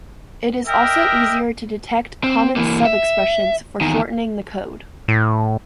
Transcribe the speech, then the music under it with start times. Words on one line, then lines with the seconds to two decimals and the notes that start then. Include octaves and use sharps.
It is also easier to detect common sub-expressions for shortening the code.
0.67 A#4 D#5 E5 G5
2.24 C4
2.56 E3 A#3
2.85 E5
3.81 E2 D#3
5.08 A2